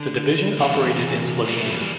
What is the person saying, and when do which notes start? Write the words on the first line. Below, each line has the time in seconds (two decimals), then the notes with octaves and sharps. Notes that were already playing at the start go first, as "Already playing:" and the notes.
The division operated in Slovenia.
Already playing: D3
0.59 C3 E3
1.47 E3 G3
1.58 F#3 A3
1.69 E3 G3
1.81 E3 G3